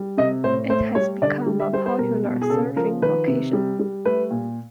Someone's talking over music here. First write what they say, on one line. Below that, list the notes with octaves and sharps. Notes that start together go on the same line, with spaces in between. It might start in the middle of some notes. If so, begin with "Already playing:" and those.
It has become a popular surfing location.
Already playing: G3
C3 D#5
A2 C5
A3 C5
G3 C#5
D3 D5
G3
E5
G3 C5
C5
B2 A#4
B2
G#4
C#3 A4
F3 A#4
D#3 B4
C3
G3
G3
A3 B4
A#2